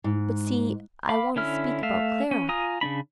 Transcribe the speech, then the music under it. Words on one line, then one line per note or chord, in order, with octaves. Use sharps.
But see, I want to speak about Clara.
G#2
F5 B5 D6
D3 C#4 E4 F6
A3 E5 F5
C#4
F4 G#5 A#5 D#6
C#3 G3 D4 B5